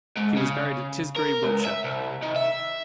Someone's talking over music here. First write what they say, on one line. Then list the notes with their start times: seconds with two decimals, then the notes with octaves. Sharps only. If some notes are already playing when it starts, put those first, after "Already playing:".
He was buried at Tisbury, Wiltshire.
0.17 G#2
0.36 C#3
1.16 A#4
1.43 C#2
1.65 E5
1.84 C2
2.22 D#3
2.36 E5